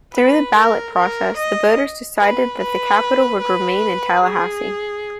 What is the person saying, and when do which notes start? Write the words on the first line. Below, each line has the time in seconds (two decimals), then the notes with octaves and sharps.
Through the ballot process, the voters decided that the capital would remain in Tallahassee.
0.13 B4
0.55 A#4
0.95 A#4
1.37 D#5
2.18 B4
2.60 B4
3.42 B4
4.24 G#4